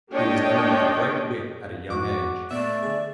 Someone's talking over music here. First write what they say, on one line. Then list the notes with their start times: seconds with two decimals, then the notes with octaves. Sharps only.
He was known for great wit at a young age.
0.11 A#3 D4 G4 C#5 D#5 G5
1.90 F2 F#4 D6
2.51 A#2 A3 B3 D5 E5
2.83 D3 G#4